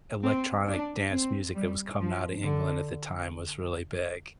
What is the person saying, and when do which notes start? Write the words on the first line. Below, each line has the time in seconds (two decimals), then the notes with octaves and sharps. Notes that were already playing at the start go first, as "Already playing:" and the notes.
electronic dance music that was coming outta England at the time was really big.
0.23 C4
0.67 D4
1.11 C4
1.55 G3
2.00 F3
2.43 D3